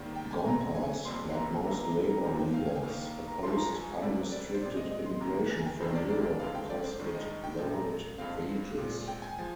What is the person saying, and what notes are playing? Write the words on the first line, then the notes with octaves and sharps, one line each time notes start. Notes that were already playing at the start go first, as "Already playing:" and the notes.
Gompers, like most labor leaders, opposed unrestricted immigration from Europe because it lowered wages.
Already playing: G#2 D#3 G3 A#3
G5
G#5
D3 G#3 C4 A#5
A#5
G#5
F2 C3 G3 A#3 C6
A#5
F2 D3 G3 A#3 A#5
A#5
A#5
G#2 F3 C4 A#5
G5
F5
G#5
G5
G2 D#3 A#3 F5
A#5
G2 F3 G#3 C6
A#5
G#5
C3 G3 C4 D5
D5
C5
A#2 G#3 C4 D5
D#5
D#5
C6
C3 D#3 A#3 A#5
G#5
G5
F2 C3 D#3 C5
D5
D5
F2 D3 G#3 C4 F5
G5
D5
C5
G2 D#3 G#3 C5
D#5
G5
A#2 F3 G#3
A#5
F2 D3 G#3 C4 F5
A#2 G#3 C4
G5
G#5
F3 G#3